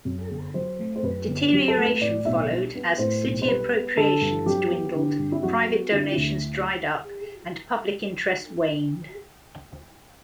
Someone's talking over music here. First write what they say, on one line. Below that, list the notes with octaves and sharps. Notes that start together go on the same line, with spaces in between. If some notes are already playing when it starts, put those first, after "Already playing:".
Deterioration followed as city appropriations dwindled, private donations dried up and public interest waned.
F#2
G1
F#3 C5
A3
C5
F#2 B4
G1
F#3 G4
A4
A3
B4
A2 D5
B1 E5
G3
B3
A2 C5
B1
C5
G3 B4
B3
D3 A4
G2
F#3 G4
B3
D3
G2
E4
F#3 F#4
B3
D3 E4
E4
D2